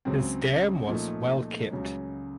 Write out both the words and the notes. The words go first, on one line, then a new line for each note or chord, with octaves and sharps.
His dam was Well Kept.
C#2 C#3 F#3 C4
A#2 F3 A3 D#4
C#2 C#3 F#3